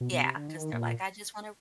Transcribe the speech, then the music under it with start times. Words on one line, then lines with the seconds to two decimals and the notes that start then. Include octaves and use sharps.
Yeah, 'cause they're like, "I just wanna
0.01 B2
0.13 B2
0.24 C3
0.36 D3
0.48 D#3
0.73 A#2